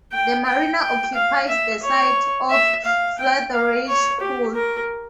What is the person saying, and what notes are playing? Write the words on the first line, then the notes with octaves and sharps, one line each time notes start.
The marina occupies the site of Flatheridge pool.
G5
G5
G5
F5
E5
C#5
E5
F5
G5
F5
C#5
G4
A#4